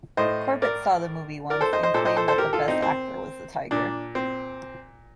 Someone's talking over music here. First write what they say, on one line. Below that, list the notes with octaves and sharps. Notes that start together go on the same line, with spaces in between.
Corbett saw the movie once and claimed that the best actor was the tiger.
A2 C5 D#5
A#4 D5
A#4 D5
A4 C5
C5 D#5
C5 D#5
A#2 A4 C5
C5 D#5
A4 C5
A4 C5
G4 A#4
F4 A4
C4 D#4
C4
A#2 D4
C4